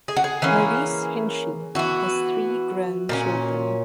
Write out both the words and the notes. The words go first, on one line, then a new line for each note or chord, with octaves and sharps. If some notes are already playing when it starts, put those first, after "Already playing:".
Maurice Hinchey has three grown children.
G#4
F#4
G#4
E3 A#3 C#4
E3 B3 F#4
A#2 A#3 C#4